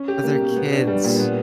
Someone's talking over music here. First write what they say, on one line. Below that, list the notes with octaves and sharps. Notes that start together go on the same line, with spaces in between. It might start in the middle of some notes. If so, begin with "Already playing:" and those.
But they're kids.
Already playing: C#4
G4
A#3
B2
B3
D4
G3
A#2
B3